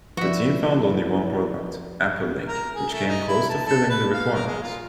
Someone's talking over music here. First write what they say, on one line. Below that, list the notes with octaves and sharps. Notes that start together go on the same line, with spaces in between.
The team found only one product, AppleLink, which came close to filling the requirements.
F3 E4 F#4 B4 D5 E5
A#4
G#4
A3
D#4
E4
A5
A4
B4
F5
A#4
G#3
F4